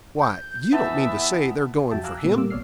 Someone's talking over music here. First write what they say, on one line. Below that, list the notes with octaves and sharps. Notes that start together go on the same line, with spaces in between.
Why, you don't mean to say they're going for him?'
G6
E3 B3 E5 A5
F2 F#4 E5 G5 A5
F5 G#5 A#5 D6 E6 F#6
A#2 C#3 A3 B3 G4
A2 G3 A#3 D6 E6
A#1 B2 C#5 D5 F6 C7